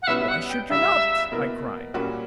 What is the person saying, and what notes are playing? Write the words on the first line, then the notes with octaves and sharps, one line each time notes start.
"Why should you not?" I cried.
F#5
B2 G3 C#4 E4 B4 E5
E5
F#5
G5
C#2 C#3 G3 E5
B2 A#3 E4 A#4
A#2 G3 A#3 C#4 F#4